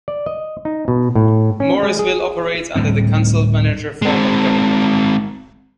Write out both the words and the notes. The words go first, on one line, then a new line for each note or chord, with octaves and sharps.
Morrisville operates under the Council-Manager form of government.
D5
D#5
D#4
B2
A2
C#4
G#3
G#4
D1 A2 G3 C4
G#3 C4